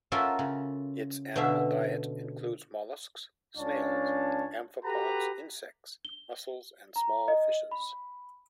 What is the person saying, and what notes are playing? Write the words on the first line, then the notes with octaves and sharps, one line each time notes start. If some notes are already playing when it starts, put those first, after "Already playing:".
Its animal diet includes mollusks, snails, amphipods, insects, mussels and small fishes.
C#4 F4 F#4 A4 A#4 E5
C#3
B2 D3 C#4 E5 F5
C#2 C#4 D4 C#5 F5 A5
F#4 G4 A4 B4 A#5
G7
A#5
D#5
B5